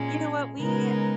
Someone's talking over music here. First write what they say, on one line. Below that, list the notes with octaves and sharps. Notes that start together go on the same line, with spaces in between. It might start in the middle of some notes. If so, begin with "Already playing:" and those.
You know what? We,
Already playing: A#2 G#3 C#4
C#3 G#3 B3 D#4 A#4